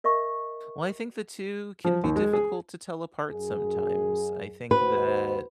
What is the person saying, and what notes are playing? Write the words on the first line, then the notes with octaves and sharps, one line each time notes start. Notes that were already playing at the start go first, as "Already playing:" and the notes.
Well, I think the two can be difficult to tell apart sometimes. I think that
A#4 D#5 E5 C#6
F3
D#2
G#3
G#4
F#2 G#4
D#2 F#4 B4 C5